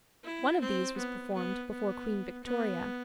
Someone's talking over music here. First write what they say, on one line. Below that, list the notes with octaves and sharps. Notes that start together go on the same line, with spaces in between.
One of these was performed before Queen Victoria.
E4
C4
B3
B3
B3
B3